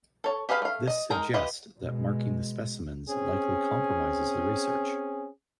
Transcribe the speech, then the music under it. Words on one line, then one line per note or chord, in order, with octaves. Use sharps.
This suggests that marking the specimens likely compromises the research.
A4 C#5
G4 G#4 B4 F5 B5
A3 F5
D#5
G#3 D#4 A#4 G5 A#5
F4 G4 B4 D#5
B2 G#3
C4 C#4 G#4